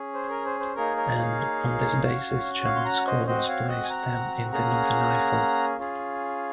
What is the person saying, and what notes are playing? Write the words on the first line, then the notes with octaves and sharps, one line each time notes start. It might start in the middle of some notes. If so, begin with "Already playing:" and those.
And "on this basis German scholars place them in the northern Eifel".
Already playing: C#4 G#4
C5
A#4
C5
C5
A#3 D#4 G#4 A#4 C#5
A#4 C#5
C#5 F5
C#4 F#4
C#5 F5
C6
F#5 A#5
C5 D#5
C4 F#4 C5 D#5
C#5 F5
D#5 F#5
G#5
F#5 A#5
A#3 C#4 G#4 F#5 A#5
C#4 F4 G#4